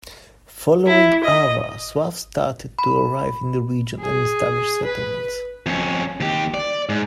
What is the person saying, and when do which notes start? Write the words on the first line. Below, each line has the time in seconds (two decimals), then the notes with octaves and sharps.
Following Avars, Slavs started to arrive in the region and establish settlements.
0.87 E4
1.24 D#5
2.79 B5
4.00 G#4
4.84 B4
5.66 F2 C#4
6.20 D#2 G4
6.54 D5
6.89 G#2